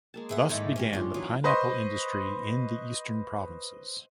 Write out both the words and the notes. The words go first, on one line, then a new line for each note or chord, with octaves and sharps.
Thus began the pineapple industry in the eastern provinces.
G#3 A#3 A5
G#4 E5 F#5
G#2 D#3 A3 D#4 E4 C#5 D5
C#4 G4 A#4
G2 D3 C#4 D4 F4
E3 F#3 D#4 F4
B4 C5 D#5 C6 C#6